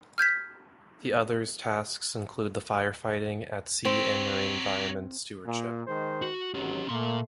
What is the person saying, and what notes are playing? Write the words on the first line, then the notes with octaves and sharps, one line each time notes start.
The others tasks include the fire fighting at sea and marine environment stewardship.
F6 G6 G#6 B6
F#3 C4 G4
A#2
D#3 G#3 C5
F#4
G#1 F#3 C#4 G4
A#2 A3 A#3 C6